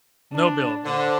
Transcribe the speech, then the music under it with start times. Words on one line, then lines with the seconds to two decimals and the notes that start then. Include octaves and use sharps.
No build, yeah.
0.34 D4
0.85 D3 C5